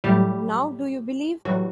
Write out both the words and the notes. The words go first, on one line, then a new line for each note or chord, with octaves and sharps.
Now do you believe?
A2 F#3 G3 A3 G4
A2 E3 F#3 G3 F#4